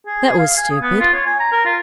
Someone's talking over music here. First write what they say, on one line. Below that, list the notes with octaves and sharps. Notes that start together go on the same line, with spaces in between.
'That was stupid.
G#4
G#4
F5
G#5
D#6
B3
F4
C#5
G#5
A#5
A#4
F4